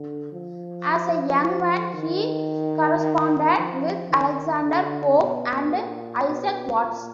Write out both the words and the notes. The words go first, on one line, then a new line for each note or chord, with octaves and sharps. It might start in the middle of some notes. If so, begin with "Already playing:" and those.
As a young man, he corresponded with Alexander Pope and Isaac Watts.
Already playing: D3
F3
F3
D#3
F3
D#3
D3
B2
A#2
B2
A#2